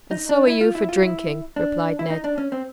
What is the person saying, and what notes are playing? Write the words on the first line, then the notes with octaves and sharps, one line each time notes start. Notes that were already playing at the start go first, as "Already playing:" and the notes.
"And so are you for drinking," replied Ned.
D#4
D4
E4
F4
E4
F4
E4
D4
E4
D#4
D4
C#4
C4